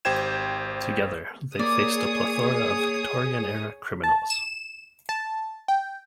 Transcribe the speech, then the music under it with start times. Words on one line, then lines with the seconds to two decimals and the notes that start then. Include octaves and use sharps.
Together they faced a plethora of Victorian-era criminals.
0.05 G#1 G4 C5 G5 G#6 E7
1.59 A#3 G#4 A#4 C#5 D5 D#6
4.04 A5
4.30 E7
5.09 A5
5.68 G5